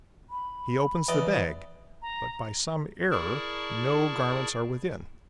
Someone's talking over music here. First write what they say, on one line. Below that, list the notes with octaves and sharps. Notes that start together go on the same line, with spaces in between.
He opens the bag, but by some error no garments are within.
B5
E2 D5 D#5
A#5
E4 G#4 A#4 D5 A5 C#6